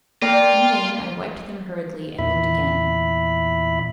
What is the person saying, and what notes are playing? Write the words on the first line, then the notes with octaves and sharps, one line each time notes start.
In vain I wiped them hurriedly and looked again.
A#3 F4 D5 G5
E2 A#2 E4 E5 B5